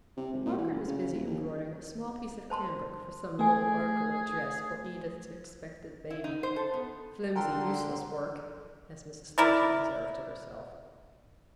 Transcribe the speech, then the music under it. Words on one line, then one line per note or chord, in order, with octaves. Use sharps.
Margaret was busy embroidering a small piece of cambric for some little article of dress for Edith's expected baby--'Flimsy, useless work,' as Mrs. Thornton observed to herself.
C3
G#1
A#2
E3
F#1
C#3
C#3
D#1
D#2
C5 A5 C6
A3 G#4 A#4 G#5
E4
D#4
C5
A4
B3
D3 A4 A#4 F#5 G5 C6
E4 A#4 D5